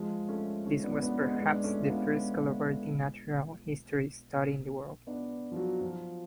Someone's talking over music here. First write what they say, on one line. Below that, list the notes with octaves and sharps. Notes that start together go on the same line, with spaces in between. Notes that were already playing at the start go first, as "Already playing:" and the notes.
This was perhaps the first collaborative natural history study in the world.
Already playing: F3 G#3
A3 C#4
A3 C#4
B3 D4
B3 D4
G#3 B3
G#3 B3
D4
A3 C#4
F4
B3 D4
B3 D4
F3
F#3
F3